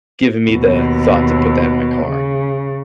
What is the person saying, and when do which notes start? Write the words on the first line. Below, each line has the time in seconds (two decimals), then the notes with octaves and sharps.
given me the thought to put that in my car.
0.49 D#2 B2
2.06 C#3